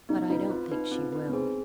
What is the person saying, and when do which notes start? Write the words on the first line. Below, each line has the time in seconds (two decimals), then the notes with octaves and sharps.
"But I don't think she will."
0.09 B3 D#4
0.30 D#4 F4 B4
0.50 C4 F4
0.72 D#4 B4
0.92 C4 F4
1.12 D#4 B4
1.28 B3
1.33 C4 G#4